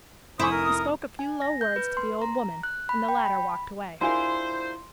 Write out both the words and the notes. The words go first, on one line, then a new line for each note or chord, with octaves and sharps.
He spoke a few low words to the old woman, and the latter walked away.
F1 E4 C5 G#5 C#6 D#6
A#4
G#5
A#6
G6
B4
C6
A#5
F#6
B5
G5
B5
D4 E4 F4 G#4 A#4 C5 C6